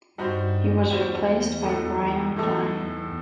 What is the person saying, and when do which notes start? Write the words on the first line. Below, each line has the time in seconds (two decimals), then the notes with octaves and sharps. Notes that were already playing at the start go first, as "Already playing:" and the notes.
He was replaced by Brian Flynn.
0.18 G2 G3 D#4 F#4 C5
0.91 E2 G3 D#4 F#4 C5
1.63 A2 E3 A3 D#4 A4
2.36 E2 A2 E3 A3 D#4 A4